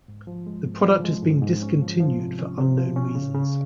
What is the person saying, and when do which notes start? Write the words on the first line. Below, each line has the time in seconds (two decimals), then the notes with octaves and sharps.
The product has been discontinued for unknown reasons.
0.08 G#2
0.27 F3
0.46 G#3
0.66 G#2
0.85 F3
1.04 G#3
1.23 G#2
1.42 G#2
1.62 C#4
1.81 F3
2.00 F3
2.20 C3
2.39 C#4
2.57 C3
2.78 F3
2.96 C#4
3.15 C#3
3.35 C#3